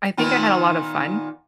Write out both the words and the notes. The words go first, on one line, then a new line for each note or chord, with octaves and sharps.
I think I had a lot of fun
A#2 D#3 B3